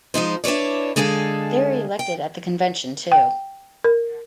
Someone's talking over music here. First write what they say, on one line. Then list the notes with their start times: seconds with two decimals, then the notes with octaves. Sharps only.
They are elected at the convention too.
0.14 F3 G#3 D#4 C5
0.44 D4 E4 B4 C#5 D5
0.96 D3 G#3 G#4 A4 F5
1.99 G5
3.12 G5
3.84 A#4